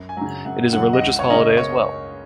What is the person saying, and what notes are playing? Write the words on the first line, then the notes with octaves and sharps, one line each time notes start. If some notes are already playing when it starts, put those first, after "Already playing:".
It is a religious holiday as well.
Already playing: F#2
G#5
C#3 F#3 A#5
F#2 F#5
C#3 F#3 F#5
D#5
C#2 F#5
C#5
C#3 A#3 C#4 D#5
C#5